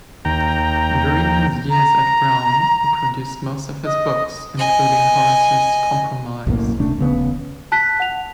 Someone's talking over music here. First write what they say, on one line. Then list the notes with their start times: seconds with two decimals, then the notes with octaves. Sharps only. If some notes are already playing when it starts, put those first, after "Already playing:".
During his years at Brown, he produced most of his books, including Horace's Compromise.
0.25 D#2 G5 A#5
1.70 A#5
3.85 D#5
4.58 D#5 G#5
6.47 B1 F#2 A2 A#3
6.79 D#1 C3 A3 D4
6.98 D#1 A#1 C#3 B3
7.72 A5 F#6 B6
8.00 F#5 F7